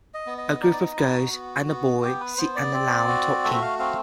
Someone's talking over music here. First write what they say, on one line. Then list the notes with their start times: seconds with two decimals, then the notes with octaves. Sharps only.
A group of girls and a boy sit on the lawn talking.
0.14 D#5
0.26 B3
0.38 D#5
0.62 D#4 D5
0.73 D5
0.79 D#5
0.97 B3 B4
1.14 F#4
1.32 B3
1.68 B3
2.03 B3 G4
2.20 B4
2.37 B3 C5
2.55 D5
2.73 C4
3.08 F#4
3.44 A3 E5
3.62 F5
3.79 C4 F5